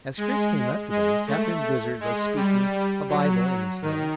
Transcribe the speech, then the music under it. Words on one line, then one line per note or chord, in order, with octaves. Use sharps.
As Chris came up to them, Captain Blizzard was speaking, a Bible in his hand.
G#3
G#3
A3
G#3
G3
F#3
D#3